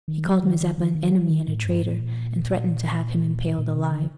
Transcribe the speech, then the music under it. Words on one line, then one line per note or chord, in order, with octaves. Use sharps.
He called Mazeppa an enemy and a traitor, and threatened to have him impaled alive.
D#3
F#3
D#3
D#3
D#3
D#3
F#3
D#3
A2
G2
A2
A#2
A#2
C3
D3